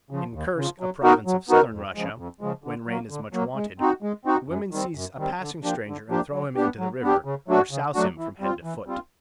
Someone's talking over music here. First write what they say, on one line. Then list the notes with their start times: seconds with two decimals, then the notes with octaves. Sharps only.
In Kursk, a province of Southern Russia, when rain is much wanted, the women seize a passing stranger and throw him into the river, or souse him from head to foot.
0.11 C#3 F3
0.34 D#2
0.57 C#3 F3
0.80 F#3
1.03 B3 D#4 F#4 A#4
1.26 F#3
1.49 B3 D#4 F#4 A#4
1.72 F2
1.95 C#3 F3 G#3
2.18 F2
2.41 C#3 F3 G#3
2.64 D3
2.87 F#3 A#3
3.10 D3
3.33 F#3 A#3
3.56 G#3
3.79 C4 D#4 F#4
4.02 G#3
4.25 C4 D#4 F#4
4.48 F#2
4.71 D#3 G3 C4
4.95 F#2
5.18 D#3 G3 C4
5.41 D3
5.64 F3 A#3 D4 G4
5.87 D3
6.10 F3 A#3 D4 G4
6.33 F#3
6.56 B3 D4 G4
6.79 F#3
7.03 B3 D4 G4
7.25 C#3
7.48 F#3 A3 D4 F#4
7.71 C#3
7.94 F#3 A3 D4 F#4
8.18 E3
8.40 G3 C4 F4
8.64 E3
8.86 G3 C4 F4